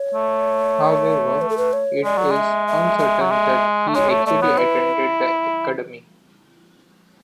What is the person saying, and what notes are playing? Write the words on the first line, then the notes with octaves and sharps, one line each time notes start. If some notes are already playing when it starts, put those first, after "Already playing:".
However, it is uncertain that he actually attended the Academy.
Already playing: C#5
A3
B4
A4
B4
C#5
G#3 D5
F#3
G#3
E5
E5
E5
F#3
G#3
A3
G#3 C#5
A3
A3 C#5 D5
B3
E4 B4